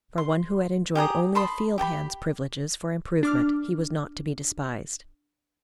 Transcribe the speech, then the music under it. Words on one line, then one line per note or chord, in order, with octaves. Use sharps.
For one who had enjoyed only a field hand's privileges for improvement, he was not to be despised.
C6
G4 G#4 A#5 D#6
A5 B5 C6 D#6
G4 G5 A5 B5
D4 D6 F6